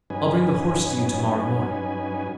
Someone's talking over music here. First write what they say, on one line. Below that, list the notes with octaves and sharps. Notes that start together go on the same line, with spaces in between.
I'll bring the horse to you to- morrow morning.'
G2 F#3 C#4 D#4 B4 G#5